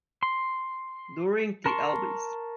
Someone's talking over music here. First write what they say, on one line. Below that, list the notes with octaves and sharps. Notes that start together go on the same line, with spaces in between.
During the Elvis!
C6
A#4 A5 C6 C#6